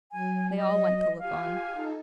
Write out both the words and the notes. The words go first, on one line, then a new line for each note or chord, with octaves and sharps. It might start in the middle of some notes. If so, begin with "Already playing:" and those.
They all went to look on.
F#3 G#5
D#5
F4 G4 F5 G#5
D#4 A4